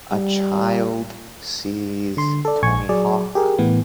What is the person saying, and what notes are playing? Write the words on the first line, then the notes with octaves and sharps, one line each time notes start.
a child sees Tony Hawk.
G3
D3 C6
A4 D5
A#1 G#5 C#6 G#6
F#3 G#4 D5
G4 G#4 A#4
A2 E3 B3